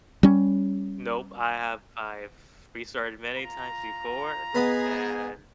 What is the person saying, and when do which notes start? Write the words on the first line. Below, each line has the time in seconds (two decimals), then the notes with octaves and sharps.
Nope, I have I've restarted many times before and
0.23 G3 C#4
3.38 F4 A#5
4.55 B3 G#4 D#5 B5